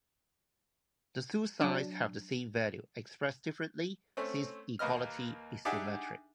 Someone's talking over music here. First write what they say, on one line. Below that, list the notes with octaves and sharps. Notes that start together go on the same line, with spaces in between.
The two sides have the same value, expressed differently, since equality is symmetric.
F#3 D4
A3 C4 C#4
D#2 A#3 B4 D#5 F6
D4 D#4 G4 G#4 E5 F#5